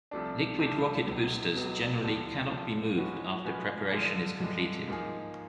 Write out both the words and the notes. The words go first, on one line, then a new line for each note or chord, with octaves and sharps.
Liquid rocket boosters generally cannot be moved after preparation is completed.
C2 C3 F3 A3 D4
C2 C3 F3 A3 D4
C#2 B2 F#3 B3
C#2 B2 F#3 B3
D#2 D3 F3 A3
D#2 D3 F3 A3
F3 G#3 C#4 F#4 B4
F3 G#3 C#4 F#4 B4
G2 D3 F3 G#3
G2 D3 F3 G#3
G#2 F3 A#3 D#4 G#4